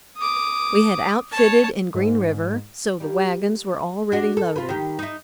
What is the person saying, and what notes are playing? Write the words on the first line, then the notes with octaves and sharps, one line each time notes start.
We had outfitted in Green River, so the wagons were already loaded.
D6 D#6
C#5 A5
G#2
G3 A#3 G4
D4 F#4
A4
F4 B4
D#3 G4
D#4 E4